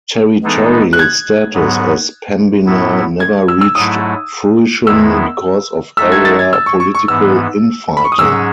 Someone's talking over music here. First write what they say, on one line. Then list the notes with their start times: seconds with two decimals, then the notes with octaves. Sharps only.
Territorial status as Pembina never reached fruition because of area political in-fighting.
0.44 E3 G#3 B3 D#4 A4
0.93 F#6
0.99 G#6
1.54 G#2 F#3 B3
2.65 A2 F#3 B3 E4
3.20 G#6
3.48 E6
3.61 E6
3.75 G#2 F#3 A3 E4 D#6
4.87 E2 D#3 G#3 B3 E4 E6
5.97 G#3 D#4 F#4 A4 E5 E6
6.12 G#6
6.25 A6
6.39 G#6
6.53 E6
6.66 C#6
6.80 C#6
6.95 C#6
7.08 G#2 E3 B3 E6
7.97 B5
8.05 C#6
8.12 D#6
8.19 G#2 F#3 C#4 G#4 E6